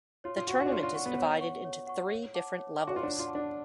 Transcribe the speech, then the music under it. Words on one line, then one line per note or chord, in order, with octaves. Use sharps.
The tournament is divided into three different levels.
F4 C#5
F4
F#4 F#5 C#6
F#4
D4
F4 C#5
F4
F#5 C#6
B3
C#5
F#5 C#6
C#5
F#5 C#6
C#5
F#5 A5 D6
C#5
F#5 A5 D6
F#4
F4
D4 C#5
F4
F#5 A5 D6
D4